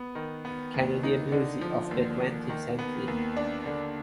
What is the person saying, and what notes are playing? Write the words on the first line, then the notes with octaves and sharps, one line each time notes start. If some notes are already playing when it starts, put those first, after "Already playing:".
Canadian Music of the Twentieth Century.
Already playing: B3
D#3
B3
D#2
D#4
D3
F3
D#2
D#2
D#3
B3
D#2
D4
D3